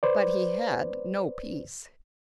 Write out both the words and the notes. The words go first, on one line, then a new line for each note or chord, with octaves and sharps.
But he had no peace!
B4 C5 D5